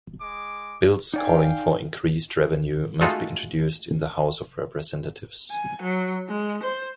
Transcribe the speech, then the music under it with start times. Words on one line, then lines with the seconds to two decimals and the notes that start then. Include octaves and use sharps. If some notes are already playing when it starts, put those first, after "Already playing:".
Bills calling for increased revenue must be introduced in the House of Representatives.
0.21 G#3 D6
1.14 D#4 D5 F5 G5 G#5
3.01 G#3 A3 D#4 F4 F#4 A4
5.51 G#5
5.82 F#3
6.28 G#3
6.63 C5